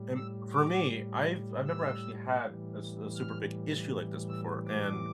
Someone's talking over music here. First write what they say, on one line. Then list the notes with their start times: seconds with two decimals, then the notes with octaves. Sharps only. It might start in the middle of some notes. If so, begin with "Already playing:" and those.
and for me, I've I've never actually had a s a super big issue like this before, and
Already playing: A2 G3
0.16 E6
0.53 D6
1.66 E6
2.40 A2 E3 G3
3.15 F6
4.29 E6
4.66 D6